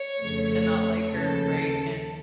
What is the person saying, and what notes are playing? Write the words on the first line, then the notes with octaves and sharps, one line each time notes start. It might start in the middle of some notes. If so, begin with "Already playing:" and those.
to not like her, right, and
Already playing: C#5
F2 C#3 F3 A3
D#2 C#3 F3 A4